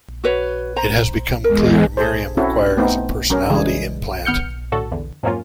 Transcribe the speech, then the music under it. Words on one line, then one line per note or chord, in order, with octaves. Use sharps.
It has become clear Miriam requires a personality implant.
F#4 B4 C#5
C5 A#5
E2 G#3 A#4
G#4 A4 C5
C4 C#4 E4 F#4 A4
A3 B3 C4 D#4
F#3 C#4 A#4
C#3 E3 G3 G#3 G#4
G#1 B3 F6 G6 C#7
A2 D3 F#4 A4
E2 D3
F2 G#2 F#3 A#3 C#4 F4